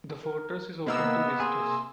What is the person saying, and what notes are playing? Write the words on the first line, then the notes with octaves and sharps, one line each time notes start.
The fortress is open to visitors.
A#4
C3 A#3 B3 D#5 E6
G#4 C6